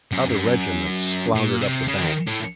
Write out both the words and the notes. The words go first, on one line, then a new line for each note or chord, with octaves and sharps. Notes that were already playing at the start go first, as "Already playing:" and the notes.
Other regiments floundered up the bank.
F#2
F#2
A#2
C3
C#3
D#3
A2